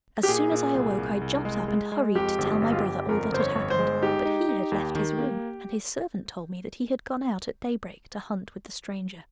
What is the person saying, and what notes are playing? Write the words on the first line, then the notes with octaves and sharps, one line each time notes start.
As soon as I awoke I jumped up, and hurried to tell my brother all that had happened, but he had left his room, and his servant told me that he had gone out at daybreak to hunt with the stranger.
G4
A#2 G#4
A#2
C2
C2
C2
G#3
G#3
G#3
F2 G4
G1
G4
G1
F4
G4
G1
F2 A#4
G1 C5
C#5
G1
C5
G#3
D#4 G4
D#4
D#4
D#2
D#3
A#3